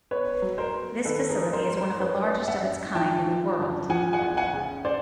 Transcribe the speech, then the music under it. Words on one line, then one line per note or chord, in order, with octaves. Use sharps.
This facility is one of the largest of its kind in the world.
B3 B4 C#5
F#3
A#4 C5
B3
D#3 A4 B4
G#4 A#4
B3
A#4 C5
G#2
A#4 C5
F#2 B4 C#5
F#2
E5 F#5
F#2
F3 G5 A5
F3
F#2
F3 F#5 G#5
F#5 G#5
E2
F#5 G#5
C#3
C5 D5